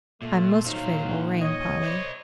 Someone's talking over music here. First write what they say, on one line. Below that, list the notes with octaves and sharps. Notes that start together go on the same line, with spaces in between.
"I'm most afraid it will rain, Polly."
A#2 A3
A#2 F#3 D#4 C5 F5
C#5 D#5
C5 D5